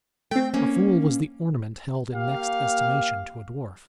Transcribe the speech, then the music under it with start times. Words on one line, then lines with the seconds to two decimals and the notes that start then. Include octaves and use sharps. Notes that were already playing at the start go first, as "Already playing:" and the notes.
A fool was the ornament held in next estimation to a dwarf.
0.31 A3 C4 G5
0.54 A#3 C#4
2.14 A#3 G4 F5